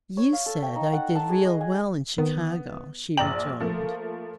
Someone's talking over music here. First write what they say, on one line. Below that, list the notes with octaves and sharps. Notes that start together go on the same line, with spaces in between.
"You said I did real well in Chicago," she rejoined.
C#5
F5
A4
G5
D#4
F#5
A5
G#4
D#5
G#5
D#3 B3
A#1 D5 G5 A#5 F#7
F3 A3 A#3